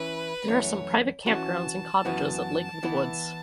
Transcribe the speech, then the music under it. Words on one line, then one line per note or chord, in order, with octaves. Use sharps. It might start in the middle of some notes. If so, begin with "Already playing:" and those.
There are some private campgrounds and cottages at Lake-of-the-Woods.
Already playing: E3 C#4 E4 B4
F#2 E3 A3 C#5
E3 C#4 F#4 A5
F#2 E3 B3 F#4
E3 B3 E4